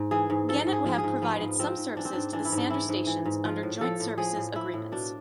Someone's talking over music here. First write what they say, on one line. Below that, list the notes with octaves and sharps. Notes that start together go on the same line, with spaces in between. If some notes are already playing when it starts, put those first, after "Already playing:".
Gannett would have provided some services to the Sander stations under joint services agreements.
Already playing: G#2
E3 G#4
G#2
F3 A4
G#2
G#4
F3
G#4
G#2
F3 B3
G#2
F3 C4
G#2
E3 D4
C4
G#2 D4
E3 D4
E4
G#2
D4
E3 E4
G#2
E3
G#2
F3 F4
A2
F3 A4
A2
F3 G#4
A2
F3 E4
A2
B2 D4